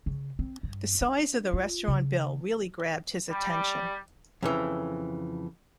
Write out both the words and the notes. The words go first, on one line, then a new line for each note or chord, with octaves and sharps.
The size of the restaurant bill really grabbed his attention.
C#3
C4
G2
D4
F4
C#3
G3
F2 C#3 E3